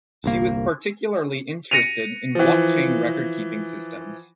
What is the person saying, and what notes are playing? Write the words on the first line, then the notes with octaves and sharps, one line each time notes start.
She was particularly interested in blockchain record keeping systems.
G1 C2 A#3
A#6 C#7 D#7 F7
E3 F3